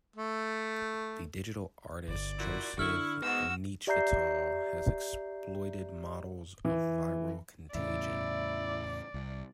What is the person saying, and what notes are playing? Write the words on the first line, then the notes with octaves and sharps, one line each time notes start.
The digital artist Joseph Nechvatal has exploited models of viral contagion.
A3
G1 D5
A#2 E4 F#4
D3 E4 C#6 F6
G#2 B3 F#4 E6
G4 D5 E5 A#5 G6 C7
E3
E2 A2 C#3 E4 D5
C2